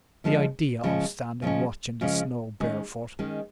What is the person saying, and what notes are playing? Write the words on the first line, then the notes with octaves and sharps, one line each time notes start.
"The idea of standing watch in the snow barefoot!"
C#3 F3 G#3 C#4
C#3 F3 G#3 C#4
C#3 F3 G#3 C#4
C#3 F3 G#3 C#4
D#3 G#3 C#4
D#3 G#3 C#4